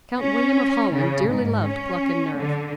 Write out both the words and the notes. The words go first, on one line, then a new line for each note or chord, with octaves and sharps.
Count William of Holland dearly loved pluck and nerve.
C#4
C#3
G#2
C#4
D3